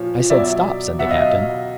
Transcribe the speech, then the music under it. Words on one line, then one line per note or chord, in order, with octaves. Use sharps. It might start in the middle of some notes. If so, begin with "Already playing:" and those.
"I said, 'Stop,'" said the Captain.
Already playing: A#2 F3 C#5
B2 F#3 D5 E5
B2 F#3 E5 F#5
D#5 F5